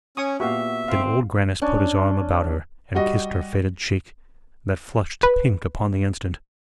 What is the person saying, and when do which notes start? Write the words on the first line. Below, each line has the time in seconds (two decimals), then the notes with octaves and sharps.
Then Old Grannis put his arm about her, and kissed her faded cheek, that flushed to pink upon the instant.
0.17 C#4 G#5 C#6 D#6
0.40 A#2 B3 F#4 G4 E5 F5 C#6
0.88 C4 F5
1.62 C#4 D4
2.94 G3 F#4 D#5
5.23 B4